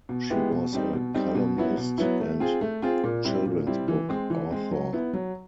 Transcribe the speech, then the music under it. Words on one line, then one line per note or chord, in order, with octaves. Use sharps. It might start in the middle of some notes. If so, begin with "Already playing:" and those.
She was a columnist and children's book author.
B2
G#3 B3 E4 G4
B2
G3 C4 D#4
B2
G3 C4 D#4
B2
F#3 B3 E4
B2
F#3 B3 E4
A3
C4 F4 G#4
A3
C4 F4 G#4
A#2
G3 C4 E4
A#2
G3 C4 E4
E3
G#3 C4
E3
G#3 C4
F#3
B3 E4
F#3